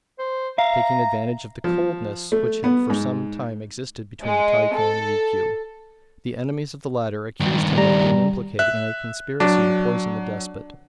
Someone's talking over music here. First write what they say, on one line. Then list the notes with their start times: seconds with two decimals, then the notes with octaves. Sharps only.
Taking advantage of the coldness which had for some time existed between the Taiko and Rikiu, the enemies of the latter accused him of being implicated in a conspiracy to poison the despot.
0.19 C5
0.58 E5 F5 A#5
1.64 F3
2.32 A3
2.64 B3
2.90 G#2
4.21 G#3
4.74 A4
7.40 G2 D#3
7.78 G3 A#5
8.59 E5 F#6
9.40 F#3 D4